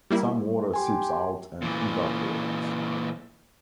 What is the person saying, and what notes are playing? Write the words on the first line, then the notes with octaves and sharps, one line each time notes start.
Some water seeps out and evaporates.
G3 A#3 E4
G4 G#5 C6
A#2 E3